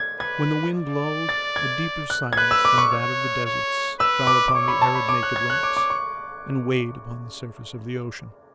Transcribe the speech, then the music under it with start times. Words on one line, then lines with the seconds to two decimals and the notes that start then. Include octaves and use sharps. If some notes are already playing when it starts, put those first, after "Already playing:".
When the wind lulled, a deeper silence than that of the deserts fell upon the arid, naked rocks, and weighed upon the surface of the ocean.
Already playing: G#6
0.20 B4 G#6
0.75 D5
1.29 A6
1.56 G#6
2.10 F#6
2.33 G#6
2.37 B4 F#6
2.51 E6
2.65 D6
2.78 C#6
2.92 C#5
3.45 C#5
4.00 B4 E6
4.27 D6
4.48 D6
4.55 C#5 C#6
4.68 B5
4.82 A5
4.95 B5
5.09 D6
5.23 F#6
5.36 G#6
5.50 F#6
5.63 D6
5.77 D6
5.90 C#6